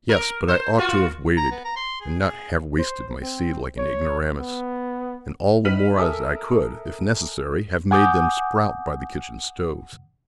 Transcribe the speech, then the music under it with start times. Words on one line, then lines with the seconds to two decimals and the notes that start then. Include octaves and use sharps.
"Yes; but I ought to have waited, and not have wasted my seed like an ignoramus; and all the more as I could, if necessary, have made them sprout by the kitchen stoves."
0.09 A#4
0.48 C5
0.78 F4 F#4
1.37 A#5
1.51 B3
1.64 A#5
1.76 C6
2.01 G#4
2.19 G#4
2.79 C5
3.22 C4
3.78 C#5
4.40 B3
5.65 D#4 B4 F6 B6 D#7 F#7
5.97 A4 A#4 E5 G#5 D#6 E6
7.91 F#5 G#5 D6 D#6 G6